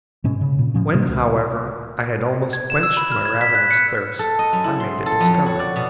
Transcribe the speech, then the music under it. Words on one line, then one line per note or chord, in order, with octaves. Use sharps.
When, however, I had almost quenched my ravenous thirst, I made a discovery.
G#2 B2 C#4
C#3
A#2
A2 F3 C#4
C3 A3 A#3 D4
C#2
G#6
E7
E6
B5
F6
G#6
B6
F#6
C#7
A4
D#5
F#2
E4
C6
A4
F2
C#5
F#4
D5
B2